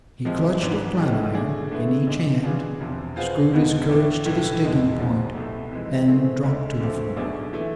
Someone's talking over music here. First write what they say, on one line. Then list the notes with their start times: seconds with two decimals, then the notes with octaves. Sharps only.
He clutched a flat-iron in each hand, screwed his courage to the sticking point, and dropped to the floor.
0.25 F2 C3 F3 G#3
0.61 G#1 G#2 E3 B3 D4
0.97 B1 A2 E3 G#3
1.34 B2 A3 D4 G#4
1.71 D3 A3 E4 G#4 B4
2.07 A1 G#2 G#3
2.43 B2 B3 D4 F4 G#4
2.80 E1 E2 C3 F3
3.16 B2 B3 F4 G#4 C5
3.53 E1 E2 B2 G#3 B3
3.89 A2 E3 A3 D4
4.25 B1 A2 E3
4.62 E1 E2 B2 G#3
4.98 G#1 G#2 F3
5.35 C2 B2 A3
5.71 F2 E3 G#3
6.08 G#2 E3 A3 C4 G#4
6.43 D2 D3 G#3
6.80 D2 D3 F3 A3 C4
7.16 B1 B2 A3 D4 G#4
7.53 E3 A3